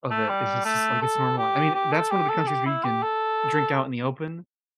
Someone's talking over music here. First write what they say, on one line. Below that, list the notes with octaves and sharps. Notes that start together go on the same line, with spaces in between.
of it. It's just it's like it's normal I I mean, that's one of the countries where you can drink out in the open,
A3
G3
A3
A4
G4
G4
A4
G4
A4
G4
E4
G4
A4